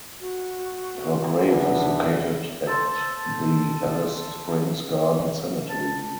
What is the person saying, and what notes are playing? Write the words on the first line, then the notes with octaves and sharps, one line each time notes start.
Her grave is located at the Alice Springs Garden Cemetery.
F#4
E2 D4
A4 C5
A5